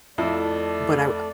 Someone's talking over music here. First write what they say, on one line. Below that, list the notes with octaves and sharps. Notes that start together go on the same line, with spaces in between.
but, I
F2 A3 E4 D5